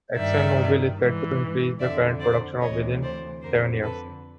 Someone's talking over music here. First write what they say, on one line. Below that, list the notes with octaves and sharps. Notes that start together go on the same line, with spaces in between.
ExxonMobil is set to increase the current production of within seven years.
G2 D#3 D5 E5
G#2 E3
F2 D3 D5 E5
C5 D5
D2 C3 E3 C#5 D#5
C5 D5
F2 D3 A#4 C5
A4 B4